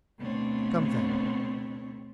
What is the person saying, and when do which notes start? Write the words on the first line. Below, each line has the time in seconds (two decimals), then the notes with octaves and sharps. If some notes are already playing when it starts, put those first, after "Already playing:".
"Come, then."
0.18 D2 B2 B3 C4 D4 C#5